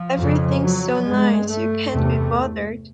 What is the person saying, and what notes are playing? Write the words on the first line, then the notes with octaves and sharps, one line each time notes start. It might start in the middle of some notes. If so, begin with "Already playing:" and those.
Everything's so nice you can't be bothered'.
Already playing: F3
F2 C#3
F#3
G2 G#3
A3
E2 C3 A3